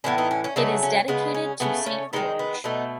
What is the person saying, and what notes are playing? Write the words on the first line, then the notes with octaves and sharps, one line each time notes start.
It is dedicated to Saint George.
A2 E3 B3 C#4
B3 D#4
C#4
C#4
C#3 F#3 A3 B3 D#4
C#4
C#3 G#3 B3
C#4
C#3 E3 A3 B3
C#4
D#3 G#3 B3 D#4
B3
B2 A3 B3 D#4